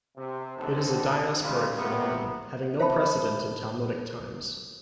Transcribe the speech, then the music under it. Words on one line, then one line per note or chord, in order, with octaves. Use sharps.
It is a diasporic phenomenon, having no precedent in Talmudic times.
C3
A#1 D#2 D3 C4 A4
G#1 D2 C#3 G3 F4
C3 G3 A#3 B3
C5 E5 G5 A5 B5